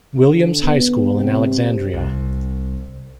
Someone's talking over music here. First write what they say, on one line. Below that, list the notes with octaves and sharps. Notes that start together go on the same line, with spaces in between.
Williams High School in Alexandria.
D3
B3
C3
C2